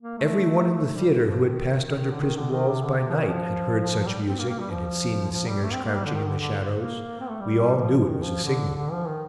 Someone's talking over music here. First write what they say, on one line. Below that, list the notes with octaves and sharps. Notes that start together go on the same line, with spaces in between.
Every one in the theatre who had passed under prison walls by night had heard such music and had seen the singers crouching in the shadows; we all knew it was a signal.
A#3
A3
A3
G3
G3
F3
D#3
D3
D#3
D3
D#3
C3
D3
C3
F3
D#3
F3
G3
C4
A#3
A#3
G3
F3
F3
G3
A3
C4
A#3
G3
D3
D#3
D3
D3
A#3
C4
A3
G3
D#3
F3
F3
D#3
F3
D3
D3
F3
D#3